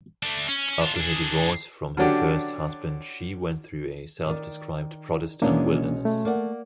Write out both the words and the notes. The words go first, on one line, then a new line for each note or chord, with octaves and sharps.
After her divorce from her first husband, she went through a self-described "Protestant wilderness".
A3 D4
C#4
D4 F4
D4 G#4
D3 F#3 C#4 D4 F#4 G4
D#3 D5
B2 E3 G#3 A#3 C#4 D4
A3
A#3 D5 F#5